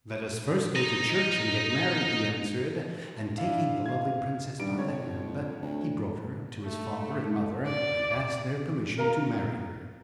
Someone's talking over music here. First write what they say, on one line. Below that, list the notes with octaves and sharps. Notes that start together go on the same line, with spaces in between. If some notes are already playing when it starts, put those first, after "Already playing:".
"Let us first go to church, and get married," he answered, and taking the lovely princess by the hand, he brought her to his father and mother, and asked their permission to marry her.
D#4 D#5
D4 E4 F5
F5 G#6
G2 D#3 G3 D7
F2 C#5
D2
A3
D5
A#4 F5 A#5